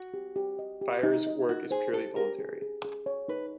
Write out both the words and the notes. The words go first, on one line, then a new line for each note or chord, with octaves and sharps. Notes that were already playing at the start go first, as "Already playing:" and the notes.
Firer's work is purely voluntary.
Already playing: F#4
G4
G4
D#5
G4
D#4
D#5
D#4 F#4
G#4 C5
G4 A4
G4 A#4
G#4
G#4
G#4
C#5
D#4 B4